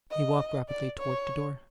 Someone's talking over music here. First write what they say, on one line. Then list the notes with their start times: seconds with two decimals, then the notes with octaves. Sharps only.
He walked rapidly towards the door.
0.11 D#5
0.69 D5
0.99 C#5